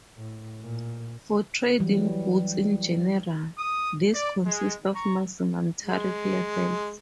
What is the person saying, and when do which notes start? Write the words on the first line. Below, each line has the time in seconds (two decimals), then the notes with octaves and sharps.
For trade in goods in general, these consist of maximum tariff levels.
0.15 A2
0.60 A#2
1.80 E3 F#3 G3
3.58 D#6
4.14 D5
4.46 G#3
4.95 A#5 C#6
5.84 G#3